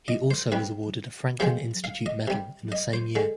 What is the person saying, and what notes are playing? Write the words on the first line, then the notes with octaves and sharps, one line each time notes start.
He also was awarded a Franklin Institute Medal in the same year.
D#5
C5
C3 G3 B4
C3 F3 G#3 C5
F5
D#5
C3 G3
D#5
C5
D3 G#3